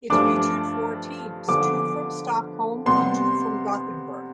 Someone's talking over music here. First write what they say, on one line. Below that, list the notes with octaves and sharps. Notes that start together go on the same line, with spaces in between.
It featured four teams, two from Stockholm and two from Gothenburg.
G2 F3 A3 D4 D6
D3 F3 B3 D4 D6
C3 G3 B3 C6